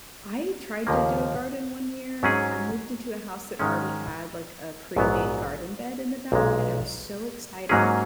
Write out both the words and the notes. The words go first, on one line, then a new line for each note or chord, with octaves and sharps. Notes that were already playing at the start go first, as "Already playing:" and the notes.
I tried to do a garden one year, I moved into a house that already had like a pre-made garden bed in the back and I was so excited,
D#2 C#3 F3 A#3
G#2 F#3 C#4 G#4
G#2 D#3 G#3 C#4
A#1 G#2 F#3 B3
B1 A#2 G#3
G#2 F#3 A#3 C#4 G#4